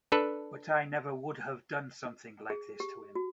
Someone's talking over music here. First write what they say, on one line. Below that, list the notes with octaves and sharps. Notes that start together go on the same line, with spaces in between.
But I never would have done something like this to him.
D4 A4 B4
G#4
G4
F#4